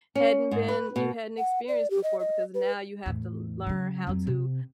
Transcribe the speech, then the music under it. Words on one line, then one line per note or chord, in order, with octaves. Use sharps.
hadn't been you hadn't experienced before because now you have to learn how to
C#4
G#2
B4
B2
F#5
D5
G4
D#5
D#5
B4
E2 A2
C#3 F#3
F2 F#3
C3